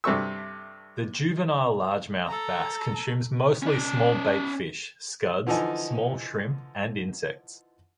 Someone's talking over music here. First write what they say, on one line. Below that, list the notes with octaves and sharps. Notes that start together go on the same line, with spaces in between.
The juvenile largemouth bass consumes mostly small bait fish, scuds, small shrimp, and insects.
G2 C3 A3 C#6 E6
A4 A#5
C#4 D5
D3 E3 F3 D#4 G#5